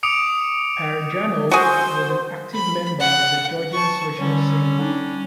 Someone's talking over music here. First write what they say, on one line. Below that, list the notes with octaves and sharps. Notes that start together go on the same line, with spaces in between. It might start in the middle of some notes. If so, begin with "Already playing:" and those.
Parajanov was an active member of the Georgian social scene.
D6 D#6 C#7 D7 F7
F#4 G#4 C5
B5
F#5
A5 C#6
D3 G3 C#4
G3 D4 D#4